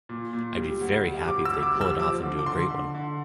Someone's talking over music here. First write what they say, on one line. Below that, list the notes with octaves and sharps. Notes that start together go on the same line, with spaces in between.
'I'd be very happy if they pull it off and do a great one'.
A#2
A#2
G3
D2
G3
D2 D6
E6
D2
D6
G3
E6
F3 D6
D3
D6
D3 C6
D3
D3